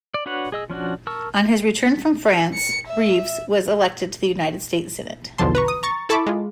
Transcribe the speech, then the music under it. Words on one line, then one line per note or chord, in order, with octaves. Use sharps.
On his return from France, Rives was elected to the United States Senate.
D5
D4 F#4 B4 C#5 F#5
G#4 D#5 E6
F3 C#4 D4 F#4
A#4 A5 C#6 E6
C#7
E5
B1 E2 D3 F3 A5 C6
B4 A#5 C#6
D#6
A#5 C#6 A6
E4 A4 A5 B5 C#6 D6
G#3 F4